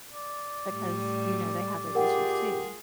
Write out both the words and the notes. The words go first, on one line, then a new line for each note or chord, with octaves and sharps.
because you know they have those issues too.
D5
A2 G3 A3
F4 G4 G#4 A#4 F#5 G5